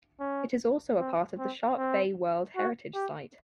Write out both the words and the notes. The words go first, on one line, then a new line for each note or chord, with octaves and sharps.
It is also a part of the Shark Bay World Heritage Site.
C#4
C4
C4
C4
F#4
G4